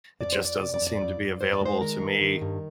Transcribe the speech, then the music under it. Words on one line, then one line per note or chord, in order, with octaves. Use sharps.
it just doesn't seem to be available to me
F2 D5
C5
F2 D5
C3 D5
D5
F2
D5
F2
F2
F2 C5
D5
G#3 C5
D#3 A#4
G2
D#3
G2